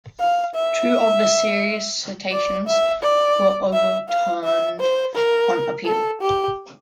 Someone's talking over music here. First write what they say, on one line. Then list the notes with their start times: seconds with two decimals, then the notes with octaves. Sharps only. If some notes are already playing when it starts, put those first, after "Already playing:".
Two of the "serious" citations were overturned on appeal.
0.20 F5
0.55 E5
2.32 D5
2.67 E5
3.03 D5
3.73 E5
4.09 F5
4.44 E5
4.80 C5
5.15 A#4
5.85 A4
6.21 G4